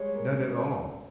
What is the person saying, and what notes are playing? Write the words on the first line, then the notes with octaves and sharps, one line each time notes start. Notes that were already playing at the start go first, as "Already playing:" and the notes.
Not at all.
Already playing: G3 G#3 C#5
A#3
C4
C#4
A#3
C4